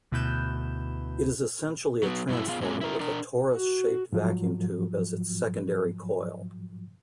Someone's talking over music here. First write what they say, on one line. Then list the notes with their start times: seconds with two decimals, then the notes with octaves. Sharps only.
It is essentially a transformer with a torus-shaped vacuum tube as its secondary coil.
0.12 D2 B2 E4 B4 G6 E7
2.03 F#3 B3
2.29 G2 F#3 E4
2.49 B3 F4 G#4 F5
2.61 F#2 A#2 F#3 G#3
2.81 E4 A#4
3.00 D4 A#4
3.53 F#4
4.13 G#2 F3 F#3